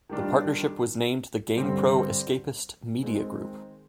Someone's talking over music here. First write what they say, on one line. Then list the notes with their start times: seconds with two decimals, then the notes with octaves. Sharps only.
The partnership was named the Gamepro Escapist Media Group.
0.09 D#3 G3 D4 F4
1.56 G2 D3 G3 C4
3.02 D#3 G#3 C4 D#4 G#4